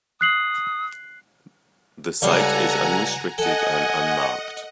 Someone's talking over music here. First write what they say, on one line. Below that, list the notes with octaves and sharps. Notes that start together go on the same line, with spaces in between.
The site is unrestricted and unmarked.
D#6 F#6 C7 F#7
C#2 G3 A4 F5 F#5 G#5 A#5
A4 D#5 F#5 G#5